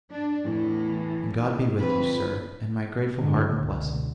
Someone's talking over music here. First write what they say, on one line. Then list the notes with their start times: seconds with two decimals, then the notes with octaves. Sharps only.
And God be with you, sir, and my grateful heart and blessing!'
0.11 D4
0.44 E2 A2 E3
1.41 D#3
1.80 F2 D3 B4
3.14 G2 D3 G#3
3.51 C#2 B2 D3